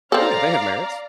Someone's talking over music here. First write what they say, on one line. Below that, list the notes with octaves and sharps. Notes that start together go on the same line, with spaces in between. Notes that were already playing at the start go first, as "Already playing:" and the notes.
Yeah, they have merits.
C4 A4 D5 F5 A#5